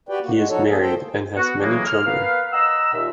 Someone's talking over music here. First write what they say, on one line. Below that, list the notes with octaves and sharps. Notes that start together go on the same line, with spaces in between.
He is married and has many children.
F#4 G4 B4 D5 G5
A#3 F#4
G#3 F#4
F3 D#4 F#4 A4 C#5
A#3 G#4 A4
A4 C5 G5
B3 F#4
A2 C#3 E3 F#3 G#3 A#3
F6
A#3 B3 B4 F5
D#5 F#5 A#5 E6
D#2 A#2 E5